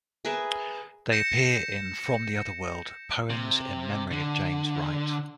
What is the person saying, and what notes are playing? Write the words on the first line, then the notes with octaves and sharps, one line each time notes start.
They appear in "From the Other World: Poems in Memory of James Wright".
G#4 A#4 B4 E5
G6 A#6 C#7 E7
C3
D3